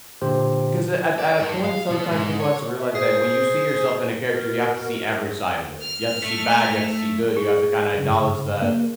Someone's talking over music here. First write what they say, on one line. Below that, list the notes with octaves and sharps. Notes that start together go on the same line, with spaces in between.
'cause at at a point, sometimes people have to realize that when you see yourself in a character, you have to see every side of it. You have to see bad; you have to see good; you have to kinda acknowledge that
A#2 D3 G4 C5
D5
G2
F5
B2
G#2
C#5
E5
G#4 C5
B2 A#4
F6
A3
G#4
G2 C#3
A#3